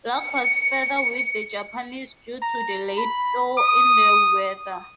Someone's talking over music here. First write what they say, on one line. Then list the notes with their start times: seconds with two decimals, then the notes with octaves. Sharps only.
Luck was further with the Japanese due to the late thaw in the weather.
0.21 C#7
2.42 A#5
2.98 B5
3.58 D#6